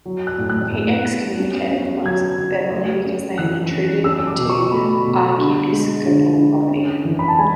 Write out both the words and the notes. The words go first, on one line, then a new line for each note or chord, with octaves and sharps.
He excommunicated the monks of Beverley because they had intruded into archiepiscopal property.
F#3
F#6
A2
F#6
A2
B3
C#4
C#4
F#3 G#6
F#3
A3
C#4
E3 F#6
C#4
C#4 E6
E6
D6
B2
C#6
A3 B5
B2
D3
G#3
D3
D3
C#4
E3
B5
A5
G#3 G#5